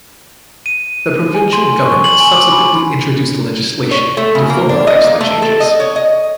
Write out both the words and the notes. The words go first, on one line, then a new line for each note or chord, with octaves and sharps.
The provincial government subsequently introduced legislation to formalise the changes.
D#7
G#5
C6
C#6
F#7
G#5
D6
B5
C#5
A3
C#3
A#3
D4
D#5
A#3
A3
A4
D#5
C#5
D#5